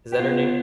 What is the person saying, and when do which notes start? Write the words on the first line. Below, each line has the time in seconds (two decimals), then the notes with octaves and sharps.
is that her name?
0.12 G4
0.19 B3 F4